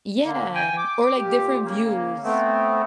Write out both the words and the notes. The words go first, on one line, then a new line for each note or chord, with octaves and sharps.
Yeah, or, like, different views.
D3 A#3
G5 G#5
D6
A#2 G4
C#3 A#3
A3 B3 C4